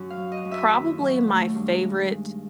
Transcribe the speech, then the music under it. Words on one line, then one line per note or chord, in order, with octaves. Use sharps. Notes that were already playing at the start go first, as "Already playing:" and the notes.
probably my favorite
Already playing: F#2
F5
F#3
D#5
F#2
E5
D#2
F#3
A3
G2
G#3